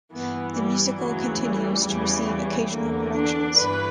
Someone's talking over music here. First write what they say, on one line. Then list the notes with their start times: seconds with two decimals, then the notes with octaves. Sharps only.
The musical continues to receive occasional productions.
0.13 G2 E3 B3
0.56 G3
0.99 D2 C#3 E3 F#3
1.43 G3
1.85 E2 C#3 E3 G3
2.28 G3
2.72 E2 D3 A#3
3.15 D4
3.58 G2 E3 B4